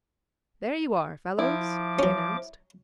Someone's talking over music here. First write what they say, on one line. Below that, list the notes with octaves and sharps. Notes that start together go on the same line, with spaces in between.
"There you are, fellows!" he announced.
F3 E4 D6
F#3 C#4